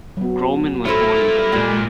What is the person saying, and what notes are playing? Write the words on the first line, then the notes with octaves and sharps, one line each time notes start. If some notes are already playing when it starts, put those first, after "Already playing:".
Grolman was born in Berlin.
F#3 B3
A#3 E4 F4 A4 C5 C#5
A#2 G3 G#3 A#3 D4